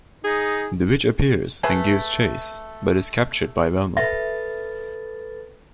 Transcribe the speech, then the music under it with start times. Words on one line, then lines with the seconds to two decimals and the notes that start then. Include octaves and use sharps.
The witch appears and gives chase, but is captured by Velma.
0.24 D#4 G#4
1.63 A3 G#4 B4 E5
3.97 A4 B4 E5 A6